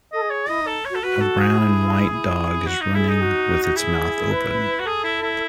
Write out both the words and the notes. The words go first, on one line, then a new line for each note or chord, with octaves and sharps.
A brown and white dog is running with its mouth open.
A4 D#5
G#4
C#5
E4 D#5
D#4
A4
F#4 C#5
A4
F#4 B4
A4
G#4
E4
E4
F#4
D#4
E4 G#4
D#4
F#4
D#4
E4 G#4
B4
F#4
G#4 A4
E4
E4